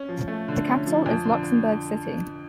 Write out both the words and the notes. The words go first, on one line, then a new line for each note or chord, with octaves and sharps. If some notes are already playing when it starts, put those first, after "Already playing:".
The capital is Luxembourg City.
Already playing: C#4
F3
A3
D3
C#4
F3
F2
D3